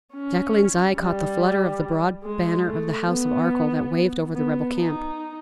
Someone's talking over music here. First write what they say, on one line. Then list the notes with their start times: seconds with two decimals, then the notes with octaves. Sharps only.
Jacqueline's eye caught the flutter of the broad banner of the house of Arkell that waved over the rebel camp.
0.14 C#4
0.97 G3
2.24 G#3
2.66 A3
3.08 B3
4.35 B3
4.77 D#4